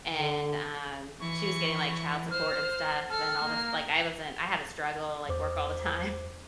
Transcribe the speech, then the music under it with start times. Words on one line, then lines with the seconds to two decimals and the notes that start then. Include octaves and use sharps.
and, um, she was getting, like, child support and stuff and all this like, I wasn't I had to struggle, like, work all the time,
0.11 D3
1.20 E3 C#6
2.31 C5 F6
3.10 A4 F6
3.44 A#3
5.29 E2 C5 D6